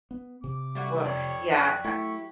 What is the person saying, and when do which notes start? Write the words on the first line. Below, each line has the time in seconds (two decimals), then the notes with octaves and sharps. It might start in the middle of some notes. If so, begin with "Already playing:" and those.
Well, yeah. Eh,
0.11 B3
0.44 C3 D6
0.75 G3 A3 A#3 F#4
1.04 F2 G4 C#5 D5
1.50 F#3 G4 C#5 F#6
1.84 A3 E4 C#6